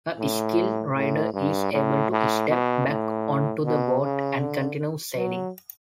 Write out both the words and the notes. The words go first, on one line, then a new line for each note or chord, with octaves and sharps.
A skilled rider is able to step back onto the board and continue sailing.
A2
A2
G2
A2
A2
B2
A2
B2
C#3
D3
F#3